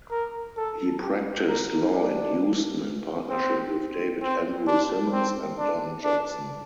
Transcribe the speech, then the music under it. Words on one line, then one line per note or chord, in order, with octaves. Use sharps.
He practiced law in Houston in partnership with David Andrew Simmons and Dan Jackson.
A#4
A4
G4
A#4
D4
C4
C4
D4
C4
D4
D4